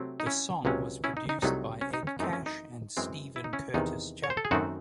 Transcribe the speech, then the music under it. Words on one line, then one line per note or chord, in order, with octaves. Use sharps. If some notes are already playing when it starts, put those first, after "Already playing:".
The song was produced by Ed Cash and Steven Curtis Chapman.
Already playing: C3 F#3 A3 C4
D#4
C#4 E4
C#2 C3 F#3 C#4
C#4 E4
D#4
D#4
C2 C3 F#3 A3 D#4
C#4
D#4
C#4
F#2 E3 A3 C4 D#4
C#4
D#4
F#2 E3 G#3 C4
E4
D#4
C#4 E4
E2 C3 D#3 D#4
C#5
C5
A4
G#4
F#2 D#3 A3 C4 D#4 F#4